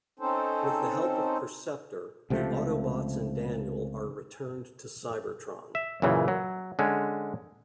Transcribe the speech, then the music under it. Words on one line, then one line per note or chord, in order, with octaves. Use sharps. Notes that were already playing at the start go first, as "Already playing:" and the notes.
With the help of Perceptor, the Autobots and Daniel are returned to Cybertron.
C4 C#4 D#4 A4 C5
C#2 C3 F3 A3
E5
F#2 A#2 C#3 E3
F#3
D3 G#3 C#4